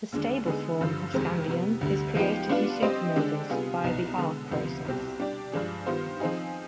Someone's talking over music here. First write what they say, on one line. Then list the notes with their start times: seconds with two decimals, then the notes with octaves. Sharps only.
The stable form of scandium is created in supernovas via the r-process.
0.12 D#2 D3 G#3 D4
0.46 D3 G#3 B3 D#4 G#4
0.81 G2 D3 F3
1.14 F2 C3 D#3 G#3 C4
1.47 C3 G3 B3
1.81 D2 D3 G3
2.15 F3 G#3 B3 D#4 G4
2.49 G3 B3 D4 F4 B4
2.82 G3 C4 G4 C5 D#5
3.16 D3 G#3 D4 G4
3.50 C3 G3 B3 F4 G#4
3.84 C2 B2 B3 D#4
4.18 D3 G#3 B3
4.51 D2 C3 F3 B3
4.85 C2 B2 G3 C4 G4
5.19 G3 D4 G4 D5
5.52 G2 F3 G#3 D4 G#4
5.87 D#3 G3 B3 F4 C5
6.20 F3 C4 D#4 G#4